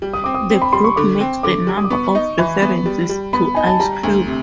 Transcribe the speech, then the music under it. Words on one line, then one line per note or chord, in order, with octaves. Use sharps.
The group makes a number of references to Ice Cube.
G3
D#6
C4 D6
D#6
C4
B5
G3 C6
C#6
D3 D6
C4
D3 D6
G3
D#6
D6
B3 C#6
D#4
E3 B5
B3
G3
G3
B3 B5
D#4 G#5
A5
G3 A#5
D2
C3